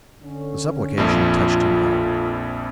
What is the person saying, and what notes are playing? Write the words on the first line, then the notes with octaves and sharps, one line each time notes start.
The supplication touched him home.
D3 C#4
A#1 F2 F4